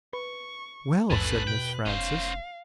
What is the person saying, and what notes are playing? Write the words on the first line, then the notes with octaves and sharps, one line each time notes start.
"Well!" said Miss Frances.
B4 C#6
A#1 E2 G#2 C#4 A4 B4 F#6
B2 G5
F1 C#4 C5 F5